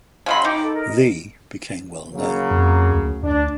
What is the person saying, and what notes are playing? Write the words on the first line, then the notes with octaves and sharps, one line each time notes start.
The became well known.
C#3 F#3 D#5 B5 C6
D#4 G5 D6
A4
A#4 D#5
C#3 F#3 A#3
F2
D2
D2 D4